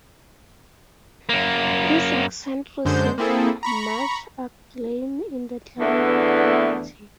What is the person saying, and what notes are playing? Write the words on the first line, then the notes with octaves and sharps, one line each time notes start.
This ascent received much acclaim in the climbing community.
F#2 A#3
F#2 D3 G#3 C5 G6
A#3 C4 E4 G#4 A4
A#5 B5 C#6
E2 D3 E3 A3 D4